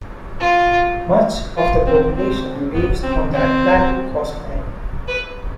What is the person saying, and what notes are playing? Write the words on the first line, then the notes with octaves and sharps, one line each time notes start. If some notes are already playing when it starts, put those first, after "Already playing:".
Much of the population lives on the Atlantic coastline.
F4
F4
C4
C4
B3
C4
C4
B4